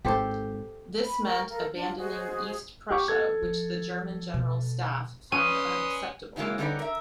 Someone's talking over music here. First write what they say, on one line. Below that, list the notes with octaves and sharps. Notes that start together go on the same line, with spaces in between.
This meant abandoning East Prussia, which the German General Staff found unacceptable.
G#1 G4 A4 C5
B5
A#4 G5 A#5 C#6
A4 A#4 F5
D4 F4
F#4 G#4 C5 D#5
A#3 G4 C#6
A4 G#6
F3
B2
C#4 B4 D5 G#5 C6 D#6 D#7
C#3 E3 F#3 G#3 A#3
D3 G3 C#4 D#4 B4 D5
A#4 E5